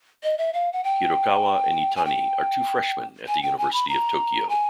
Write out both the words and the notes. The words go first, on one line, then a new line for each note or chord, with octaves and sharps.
Hirokawa and Itani are two freshmen at the University of Tokyo.
D#5
E5
F5
F#5
G5
G#5
G5
G#5
G5
G#5
B5
A#5
G#5